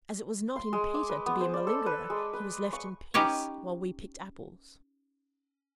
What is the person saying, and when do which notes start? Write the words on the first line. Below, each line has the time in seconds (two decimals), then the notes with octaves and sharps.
As it was not in Peter to be a malingerer he was left in peace, while we picked apples.
0.56 C6
0.73 G#3
0.94 D6
1.10 B4
1.26 B3
1.41 C5
1.54 D5
1.67 A4
1.86 B4
2.10 G#3
2.33 B4
2.73 C#6
3.14 C#4 D#4 G4 B4 C#5